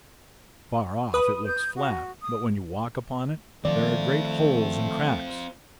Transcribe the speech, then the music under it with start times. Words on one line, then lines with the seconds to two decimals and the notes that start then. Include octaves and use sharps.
Far off it looks flat, but when you walk upon it, there are great holes and cracks.
1.14 B4 D#6
1.46 G6
1.76 F#4
2.22 D#6
3.65 D#3 F3 A3 C4 F4 D5